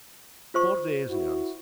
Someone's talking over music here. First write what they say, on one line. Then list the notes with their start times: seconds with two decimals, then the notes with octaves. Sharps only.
"Four days," he answered.
0.54 F4 C5 C#6
1.10 E4 F#4